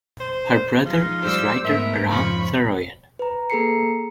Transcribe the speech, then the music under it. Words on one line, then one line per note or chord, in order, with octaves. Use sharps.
Her brother is writer Aram Saroyan.
C5
F3 G#3 D#4 F4
G3 A3 C5 E6
G#2 A3 B3 A#4 E5
F2 C#3 F3 B5 C#6
B4 A#5
A#3 G#4 A4 A#5 C7 C#7